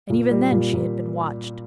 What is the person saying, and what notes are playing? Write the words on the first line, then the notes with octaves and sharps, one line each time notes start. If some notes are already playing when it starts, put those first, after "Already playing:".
And even then she had been watched.
A#2
G3
A#2
A#2